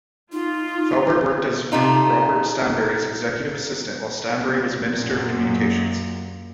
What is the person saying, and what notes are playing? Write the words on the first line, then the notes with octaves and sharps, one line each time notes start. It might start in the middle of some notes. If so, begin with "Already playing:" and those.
Faubert worked as Robert Stanbury's executive assistant while Stanbury was Minister of Communications.
D#4 F4
C3 A3 D#4 F4
F#2 A#2